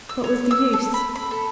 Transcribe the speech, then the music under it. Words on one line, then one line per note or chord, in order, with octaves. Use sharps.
What was the use?
E6
C#5
E6
A4
B5
B5
A4